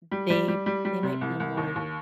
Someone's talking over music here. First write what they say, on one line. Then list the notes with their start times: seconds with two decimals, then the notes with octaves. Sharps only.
m they they might be more
0.11 G3
0.30 G3
0.48 G3
0.66 G3
0.85 G3
1.03 C3
1.21 C2
1.40 C2
1.57 D#2
1.76 D#2